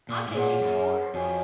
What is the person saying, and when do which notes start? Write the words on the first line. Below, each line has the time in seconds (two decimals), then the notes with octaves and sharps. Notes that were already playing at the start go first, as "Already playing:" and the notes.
I can't keep score.
0.09 A#2
0.28 G#2
0.35 A#2 G#4 C#5 F#5
0.61 F#2
1.14 F2 F#4 C#5 G#5